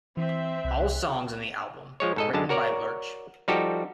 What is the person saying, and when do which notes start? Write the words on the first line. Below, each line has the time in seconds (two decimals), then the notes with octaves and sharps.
All songs on the album were written by Lerche.
0.17 E3 C4 E5
0.64 C2 F#6
2.00 F3 G#3 C#5
2.16 G#2 A4 D#5
2.33 F#2 D3 G#3 A5
2.49 F#4 A#4 C#5 D5 A#5
3.48 F3 G3 D#4 F#4 G4 A4